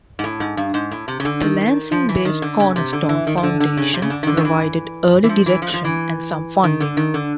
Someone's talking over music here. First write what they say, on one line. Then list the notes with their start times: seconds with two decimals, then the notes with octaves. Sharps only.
The Lansing-based Cornerstone Foundation provided early direction and some funding.
0.19 G#2
0.24 A2
0.40 G#2
0.57 G2
0.74 G#2
0.91 A2
1.08 C3
1.20 C#3
1.25 D3
1.42 D#3
1.92 F3
2.09 E3
2.25 D#3
2.42 D3
2.60 C#3
2.76 C3
2.93 D3
3.09 E3
3.27 D#3
3.37 D#3
3.43 D3
3.60 D3
3.77 C#3
3.94 C3
4.02 C#3
4.10 D3
4.23 D#3
4.27 D3
4.37 D#3
4.45 E3
5.24 E3
5.29 F3
5.46 E3
5.62 F3
5.74 F3
5.85 E3
6.64 D#3
6.80 D3
6.97 D#3
7.14 D3